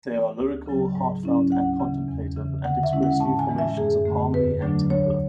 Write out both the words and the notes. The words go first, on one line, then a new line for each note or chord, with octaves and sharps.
They are lyrical, heartfelt and contemplative, and express new formations of harmony and timbre.
E3 B3
D2
C#3 F#3
G#2
F#3 C#4 E4
D2 F#5
C#3 E3
E2
C#3 E3
D3 F#5
E5
G#3 C#4 E4
F#5
A2 A5
G#5
E3 G#3
E5
F#2 G#4
D3 A3
E2 B4
D3 F#3 A3 D4
D2 C#5